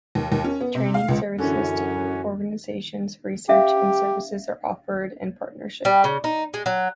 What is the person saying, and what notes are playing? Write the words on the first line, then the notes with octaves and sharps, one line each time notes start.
Training, services to organizations, research, and services are offered in partnership.
D#2
D#2
C#4
B3
C3
F5
C#2
F#2 D3 E3 C#4
C#4 G4 E5 F5
G3
C#3
D#4
G#3
F#3